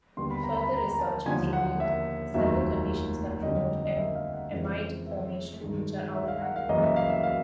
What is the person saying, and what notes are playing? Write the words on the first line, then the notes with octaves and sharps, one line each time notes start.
Further research has revealed several conditions that promote amide formation, which are outlined below.
D#2 D3 G3 B3 C6
B5
A#5
B5
A#5
A#5
A5
D#2 D3 F3 G#5
F#5
E5
F1 D#2 D#3 F#3 E5
F2 D3 G3 D#5
D#5
E5
F5
F#5
F2 C#3 E3 G#3
E5
G2 D#3 G#3
E5
F5
F#5
F5
F#2 C#3 E3 G3 A#3 D#5
E5
F5
E5
F5